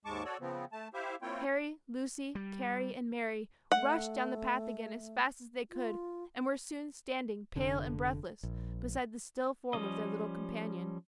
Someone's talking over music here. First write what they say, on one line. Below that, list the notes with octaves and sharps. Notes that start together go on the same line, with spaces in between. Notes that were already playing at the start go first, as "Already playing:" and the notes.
Harry, Lucy, Carry, and Mary, rushed down the path again as fast as they could, and were soon standing pale and breathless beside the still form of their little companion.
D#2 G#2 G#3 A5 C#6 D6
F#4 A4 C#5 D5
C#3 F3 B3 C4
A3 A5
E4 G4 C5 E5 F5
A#3 C4 E4 F4 C#5 G5
G3
A3 F#5
F4
F1 D3
A#1
F3 G3 C#4 D#5